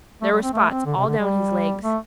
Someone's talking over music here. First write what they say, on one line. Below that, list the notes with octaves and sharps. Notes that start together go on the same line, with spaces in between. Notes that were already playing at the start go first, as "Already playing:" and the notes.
There were spots all down his legs.
A3
G3
C4
A3
C4
D3
C3
D3
G3
A3